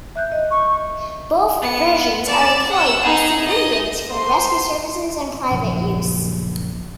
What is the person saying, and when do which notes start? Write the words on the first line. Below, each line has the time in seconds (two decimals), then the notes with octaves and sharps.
Both versions are employed by civilians for rescue services and private use.
0.15 E5 F#6 G6
0.32 D#5
0.51 C#6
1.61 B3 C#7
2.26 D5 E7
2.70 F#5 E6
3.02 D#4 G#4
3.47 D#5
4.09 C5 C6
5.51 A#1 F#2 C#3